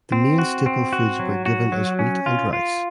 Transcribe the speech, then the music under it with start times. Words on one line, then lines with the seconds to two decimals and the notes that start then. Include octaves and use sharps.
The main staple foods were given as wheat and rice.
0.12 C4
0.38 F#4
0.66 C4
0.93 F#4
1.19 F#3
1.46 F#4
1.72 F#3
1.99 C#4
2.26 F4
2.53 F4